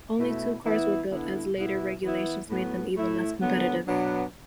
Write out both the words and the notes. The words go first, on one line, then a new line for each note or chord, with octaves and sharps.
Only two cars were built, as later regulations made them even less competitive.
B2 A3 E4
E3 B3 E4
D3 B3 E4
B2 B3 E4
E3 B3 E4
A2 F#3 B3
A2 A3 E4
D3 F#3 B3
B2 F#3 B3 D4